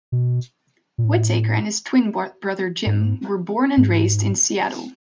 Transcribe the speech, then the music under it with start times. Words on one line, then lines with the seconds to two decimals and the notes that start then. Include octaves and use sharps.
Whittaker and his twin brother Jim were born and raised in Seattle.
0.12 B2
0.98 A#2
1.04 A2
2.86 G#2
3.77 G#2